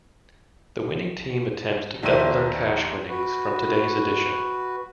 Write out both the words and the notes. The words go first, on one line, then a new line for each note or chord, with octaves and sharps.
The winning team attempts to double their cash winnings from today's edition.
A#1 D#2 C5 E5 D#7
F#4 B4